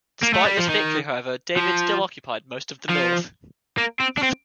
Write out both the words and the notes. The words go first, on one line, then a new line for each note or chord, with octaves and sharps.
Despite this victory, however, David still occupied most of the north.
A#3
A3
G3
F3
D#3
F3
F3
A#3
C4
D4
C4